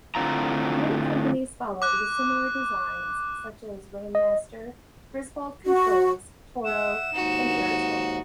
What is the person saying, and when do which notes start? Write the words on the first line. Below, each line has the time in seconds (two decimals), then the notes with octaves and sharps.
Many companies followed with similar designs, such as Rainmaster, Griswold Controls, Toro, and Irritrol.
0.15 A2 D3 C4 F4 A#5
1.82 D6 F#6
4.15 D#5
5.65 F#4
6.65 E5 F#5 E7
7.12 D#2 G#2 D#4 F#4